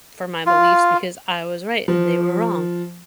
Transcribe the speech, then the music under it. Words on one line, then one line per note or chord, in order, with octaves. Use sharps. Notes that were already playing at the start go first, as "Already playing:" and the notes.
for my beliefs because I was right and they were wrong.
F4
F3